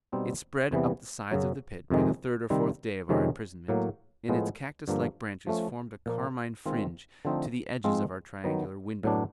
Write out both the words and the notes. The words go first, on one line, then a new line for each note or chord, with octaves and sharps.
It spread up the sides of the pit by the third or fourth day of our imprisonment, and its cactus-like branches formed a carmine fringe to the edges of our triangular window.
B2 G3 C4 D#4
E2 C3 E3 G3 B3
F#2 C#3 F#3
F2 C3 D#3 G#3
C3 D#3 G3 C4
F2 C3 D#3 G#3 C#4
A2 F#3 A#3
A2 F3 G#3 B3
G2 D3 F3 A#3
F3 A3 C#4
A#2 F3 A#3
D#3 G#3 C4 F4
D3 F3 A3 C4 D#4
G#2 F3 G#3 C4 F4
D#3 F#3 B3
A2 F#3 B3 D4